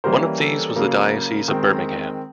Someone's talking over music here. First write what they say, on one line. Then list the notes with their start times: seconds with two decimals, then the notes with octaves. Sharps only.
One of these was the diocese of Birmingham.
0.04 E3 G3 A#3 C#4 A#4 C5
0.40 A4
0.76 C#3 F#3 A#3
1.48 D#3 G#3 C4